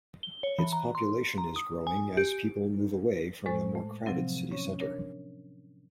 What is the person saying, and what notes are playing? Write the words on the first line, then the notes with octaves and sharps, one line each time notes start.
Its population is growing as people move away from the more crowded city center.
G7
C#5
E3
A#5
C6
A#5
D#6
G#5
G4
A2 G#3 A4 C5 G#5 C#6
A3
C3 F3 F#3 C4
C#4 C#5 C#6
D4 A#4 C#5